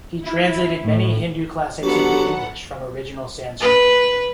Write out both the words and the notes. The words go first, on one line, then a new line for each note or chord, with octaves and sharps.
He translated many Hindu classics into English from original Sanskrit.
E4
A2
F#3 B3 D4 G4 A4 F#5
B4